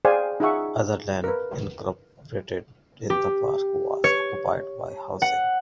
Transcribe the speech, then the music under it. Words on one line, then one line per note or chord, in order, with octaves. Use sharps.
Other land incorporated in the park was occupied by housing.
G#4 C5 D5 F5 G5 G#5
D#4 F4 G#4 E5 F#5 C#6
A#4 B4
G4
C#5
F#5